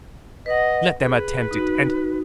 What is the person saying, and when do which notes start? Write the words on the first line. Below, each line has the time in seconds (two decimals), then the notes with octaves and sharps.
"Let them attempt it, and...."
0.46 B4 D#5 F#5
1.01 G#4 B4
1.51 D#4 F#4